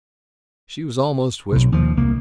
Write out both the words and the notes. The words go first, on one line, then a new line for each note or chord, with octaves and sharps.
She was almost whispering.
B1 C3
D#2 F3
C2 A#3